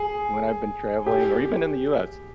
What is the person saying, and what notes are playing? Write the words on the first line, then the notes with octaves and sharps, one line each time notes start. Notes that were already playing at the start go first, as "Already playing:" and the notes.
when I've been traveling or even in the U.S.,
Already playing: G#4
G4